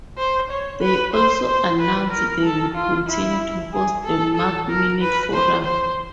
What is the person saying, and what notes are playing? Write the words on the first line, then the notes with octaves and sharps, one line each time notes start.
They also announced they would continue to host the MacMinute Forum.
C5
C#5
B4
C5
C5
B4
A#4
A4
F4
E4
G#4
A4
A4
A#4
B4
C5
C5